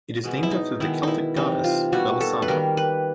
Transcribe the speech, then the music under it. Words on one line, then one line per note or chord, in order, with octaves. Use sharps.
It is named after the Celtic goddess Belisana.
B2 G#3 B3
E4
D#4
D#3 G#3 B3 E4
D#4 E4
C3 E3 G3 D#4
F4
B2 G3 A#3 F#4
A4
B4
D#3 G3 A#3 A#4
B4